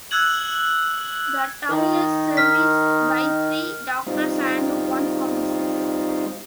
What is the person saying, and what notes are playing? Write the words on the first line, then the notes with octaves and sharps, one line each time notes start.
The town is serviced by three doctors and one pharmacy.
E6 F#6 G#6 F#7
D#3
F6 B6
G3 C4 D#4 F4